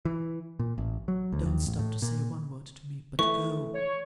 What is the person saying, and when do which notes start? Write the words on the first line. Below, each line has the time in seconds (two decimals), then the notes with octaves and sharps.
Don't stop to say one word to me, but go.
0.05 E3
0.59 A#2
0.78 A1
1.08 F#3
1.32 D2
1.46 D#2
1.67 A1
1.79 A2
2.02 A#2
3.19 E3 A3 C#6
3.74 C#5